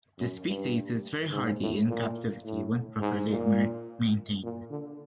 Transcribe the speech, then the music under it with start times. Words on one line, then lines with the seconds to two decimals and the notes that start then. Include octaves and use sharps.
This species is very hardy in captivity when properly maintained.
0.19 F#2
0.47 G2
1.32 G#2
1.61 A2
1.88 A#2
2.45 A2
3.01 G#2
3.30 A#2
4.43 A#2
4.70 D3